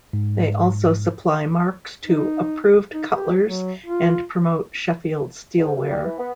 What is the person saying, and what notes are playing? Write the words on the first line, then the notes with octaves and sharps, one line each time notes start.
They also supply marks to approved cutlers and promote Sheffield steelware.
G#2
D#4
D#4
G4
F#3
F4
G#2
F#2
G3
E3
B3